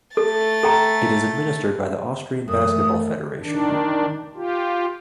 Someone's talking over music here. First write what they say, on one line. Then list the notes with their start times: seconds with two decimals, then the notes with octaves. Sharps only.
It is administered by the Austrian Basketball Federation.
0.17 A3 A4 A6
0.63 A4 G5 A#5
2.48 F#2 E3 A3 D#6
3.43 D#3 D4
4.35 F4 G4